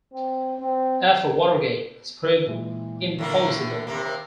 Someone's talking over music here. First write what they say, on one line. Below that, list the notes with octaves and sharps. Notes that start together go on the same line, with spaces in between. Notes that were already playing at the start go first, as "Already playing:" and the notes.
After Watergate, this proved implausible.
C4
C4
A#2 E3 G#3
A2 D3 A#3
D#2 C3 A#3